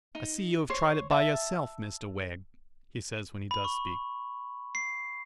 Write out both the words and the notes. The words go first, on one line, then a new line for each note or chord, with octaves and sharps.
'I see you have tried it by yourself, Mr Wegg,' he says when he does speak.
D#4
C5 C#5
E5 A5
B5
C#6
C7